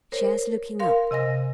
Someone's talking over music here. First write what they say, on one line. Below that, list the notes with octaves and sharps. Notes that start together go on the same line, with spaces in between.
Shares looking up.
A#4 C5 C#5
A#4 F5 C6
C3 D#5 G#5 A#6